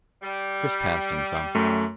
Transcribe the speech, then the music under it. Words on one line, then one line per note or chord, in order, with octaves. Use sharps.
Chris passed him some.
G3
F#2 A3